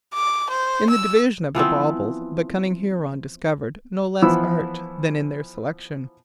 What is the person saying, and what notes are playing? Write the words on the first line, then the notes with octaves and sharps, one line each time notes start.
In the division of the baubles the cunning Huron discovered no less art than in their selection.
D6
C5
E6
E3 F3 B3 C4
E3 F3 B3 E4 E6